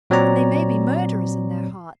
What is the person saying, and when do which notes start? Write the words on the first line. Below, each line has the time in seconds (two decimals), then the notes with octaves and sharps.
And they may be murderers in their hearts.
0.10 A#2 F#3 C4 C#5 D5 A#5